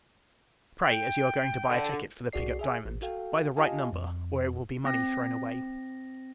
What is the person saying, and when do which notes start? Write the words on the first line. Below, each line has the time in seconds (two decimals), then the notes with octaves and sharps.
Pray, as you are going to buy a ticket for the Pigot diamond--buy the right number, or it will be money thrown away.
0.83 G5
1.68 D3
2.33 C2 F#4 G#4 D5 C7
2.59 G#4 E5 G#5
2.85 A1
3.02 F#4 A4 F5 G5
3.57 F4 G4 D#5 F5 G#5 A5
3.93 F2
4.85 C4 A#6